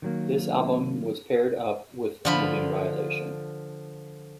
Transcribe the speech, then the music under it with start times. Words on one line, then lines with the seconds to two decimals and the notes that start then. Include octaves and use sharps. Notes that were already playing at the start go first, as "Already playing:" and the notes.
This album was paired up with "Moving Violation".
0.02 D#3 F#3 A#3
2.25 D3 F3 B5